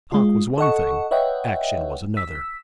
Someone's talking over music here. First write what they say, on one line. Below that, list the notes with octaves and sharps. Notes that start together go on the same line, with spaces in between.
Talk was one thing, action was another.
G#3 F4
A4 D#5 F#5 C#6
B4 C#5 D#5 E5 F#5 G5
E6 B6